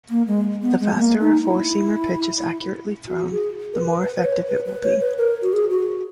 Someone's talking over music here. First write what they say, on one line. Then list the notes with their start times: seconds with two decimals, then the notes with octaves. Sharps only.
The faster a four-seamer pitch is accurately thrown, the more effective it will be.
0.10 A#3
0.27 G#3
0.63 B3
0.80 G#3
0.98 A#3
1.21 D#4
1.44 E4
3.08 F#4
3.31 G#4
3.73 A#4
3.78 B4
4.02 B4
4.16 B4
4.25 C#5
4.48 B4
4.66 B4
4.83 C#5
5.01 B4
5.18 A#4
5.42 F#4
5.53 G#4
5.71 F#4